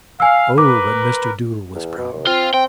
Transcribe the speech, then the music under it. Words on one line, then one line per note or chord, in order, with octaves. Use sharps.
Oh, but Mr. Doodle was proud!
F5 G#5 E6
A#4 B4 D6
E2
B2
D#2
C4 F4
C4 G5